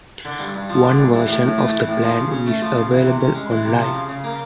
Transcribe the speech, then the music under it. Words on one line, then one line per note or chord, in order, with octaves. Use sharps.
One version of the plan is available online.
D3
G2
G2
F3
D3
G2
E3
A2
A2
A3
E3
A2
F3
C#3
C#4
A3
F3
C#3
E3
C3
C#4
G#3
E3
C3
F3
C#3
C#3
A#3